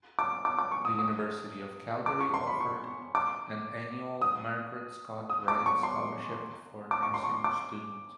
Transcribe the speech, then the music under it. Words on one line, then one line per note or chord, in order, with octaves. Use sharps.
The University of Calgary offered an annual Margaret Scott Wright Scholarship for nursing student.
D6
D6
D6
C#6
D#6
D#6
D6
C#6
C6
B5
C#6
D6
D#6
D#6
D6
C#6
C6
D6
C#6
C6
C#6
D6